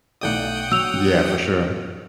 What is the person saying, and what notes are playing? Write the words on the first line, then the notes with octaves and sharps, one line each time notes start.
Yeah, for sure.
B1 A3 D5 F#5 G5 D#6
F#3 E6 F7